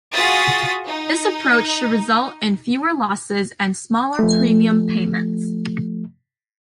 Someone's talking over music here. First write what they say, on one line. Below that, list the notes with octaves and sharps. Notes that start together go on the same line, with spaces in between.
This approach should result in fewer losses and smaller premium payments.
F4 F#4 G#4 D#6 A6 B6
D#4
F3 A3